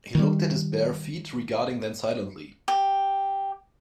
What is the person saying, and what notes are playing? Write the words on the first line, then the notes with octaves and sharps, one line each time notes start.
He looked at his bare feet, regarding then silently.
D#3 G3
G4